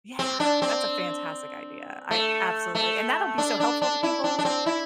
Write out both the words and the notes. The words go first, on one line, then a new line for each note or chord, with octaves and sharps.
Yeah, that's a fantastic idea, I absolutely and that'll be so helpful to people.
C4
D4
C4
A3
A3
D4
D4
D4
E4
D4
D4
C4
E4